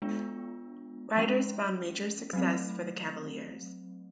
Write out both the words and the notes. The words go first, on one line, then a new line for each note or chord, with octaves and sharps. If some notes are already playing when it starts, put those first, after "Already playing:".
Riders, found major success for the Cavaliers.
G#3 B3 D4 F4
F3 G#3 C#4
F#3 A3 C4